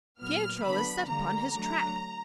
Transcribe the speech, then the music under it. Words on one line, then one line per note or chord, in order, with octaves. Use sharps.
Pietro is set upon his track.
A#2 F#3 B3 F6
D3 F#3 B3 D4 B5
D3 G3 A#3 A#5
F#3 A3 D4